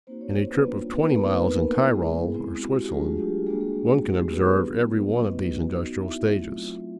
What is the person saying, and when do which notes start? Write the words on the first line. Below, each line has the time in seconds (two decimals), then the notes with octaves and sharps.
In a trip of twenty miles in Tyrol or Switzerland one can observe every one of these industrial stages.
0.07 A#3 C4 D#4 F#4 C5
0.21 C#4 C#5
0.35 C4 C5
0.50 B3 B4
0.63 G3 A#3 D4 F4
0.92 B3 B4
1.06 A#3 A#4
1.20 A3 B3 C4 D#4 B4
1.49 A#3 A#4
1.62 A#3 A#4
1.77 B3 E4
1.91 G#3 G#4
2.34 G#3 C4 E4
2.61 F#4
2.76 G4
2.90 F#3 G#3 A3 D4 F4 G#4
3.04 F#4
3.18 G4
3.47 G3 G#3 A#3 D4 F#4 G#4
3.61 G#3 G#4
3.95 F#4
4.03 A3 C4 D#4 G4
4.17 G#3 G#4
4.31 B3 B4
4.60 F#3 B3 D4 F4
4.88 A#3 A#4
5.16 F#3 A3 B3 C#4 F#4 B4
5.30 D#4 D#5
5.73 B3 D#4 F#4
6.01 E4 E5
6.29 F#3 A3 C4 F4